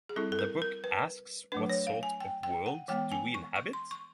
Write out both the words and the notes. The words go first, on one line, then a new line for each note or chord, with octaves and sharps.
The book asks what sort of world do we inhabit?
G#4
G3 C4 E4 A4
A4
A#4
A#4
B4
F#3 A3 D4 B4
C#5
F5
G#5
G5
G5
F#5
E3 G#3 B3 G5
G#5
C#6
C#6
C6
C#6